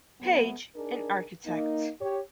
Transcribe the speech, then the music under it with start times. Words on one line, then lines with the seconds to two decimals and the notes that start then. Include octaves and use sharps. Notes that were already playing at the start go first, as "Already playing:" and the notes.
Page, an architect.
0.20 F#3 A3 B3
0.74 D4 D#4 G#4 A#4
1.46 A#3 D#4
2.01 G4 C#5